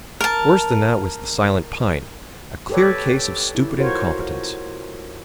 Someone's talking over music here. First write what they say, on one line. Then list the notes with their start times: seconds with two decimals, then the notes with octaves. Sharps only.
Worse than that was the Silent Pine,--a clear case of stupid incompetence!
0.21 A#4 A5
2.70 G4 A4 B4 C#5 D5
3.55 E4
3.77 F4 F#4 A#4 C5 C#5